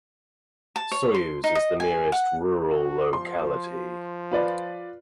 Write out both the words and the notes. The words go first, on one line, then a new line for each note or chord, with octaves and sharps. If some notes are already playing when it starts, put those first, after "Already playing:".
Soyuz is the nearest rural locality.
A5
C#5
C6
D#4
D#5
G#5
F#5
F#4
F3 C6
F4 B4 D5